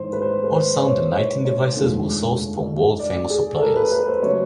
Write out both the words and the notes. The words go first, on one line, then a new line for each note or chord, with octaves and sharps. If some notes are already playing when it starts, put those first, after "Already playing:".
All sound and lighting devices were sourced from world famous suppliers.
Already playing: G#1 G#2 E3 C5
B4
C5
B4
C5
C#5
C#5
C#5
F1 D#2 D3 F3 G#3
D5
G#4
A4
A#4
B4
B4
C5
C#3 F#3 C#5